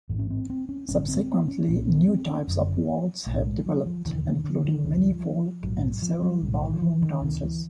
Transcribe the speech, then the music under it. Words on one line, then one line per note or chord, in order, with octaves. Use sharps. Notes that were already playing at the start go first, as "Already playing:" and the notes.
Subsequently, new types of waltz have developed, including many folk and several ballroom dances.
A1 G#2
C#4
C4
C4
C#4
A1 G2 D3 C#4
C4
C#4
B1 A#2 C#4
B3
C4
C#4
F#1 F#2 D3
B1 A2 A3
G#3
F#3
F3
E1 D#2 D3 E3
D#3
D3
D#3
C#2 C#3 E3
F#3
F3
F3
A#1 G#2 F#3
F3
F#3
B1 A2 G3
D#3
E3
D#3
D2 C3 D#3
E3